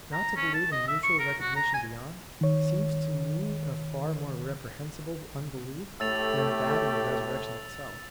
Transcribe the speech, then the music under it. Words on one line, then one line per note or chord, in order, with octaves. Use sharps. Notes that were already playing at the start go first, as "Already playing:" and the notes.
Not to believe in mutual recognition beyond, seems to me a far more reprehensible unbelief than that in the resurrection itself.
A#5
C#4
A5
D#5
E5
C#6
A#4
F#4
A#5
G#5
D#3 C#5
A2 A3 G4 E6 A6 F7